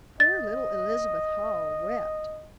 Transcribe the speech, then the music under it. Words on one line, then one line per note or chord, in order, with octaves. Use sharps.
Poor little Elizabeth Hull wept.
D#5 A6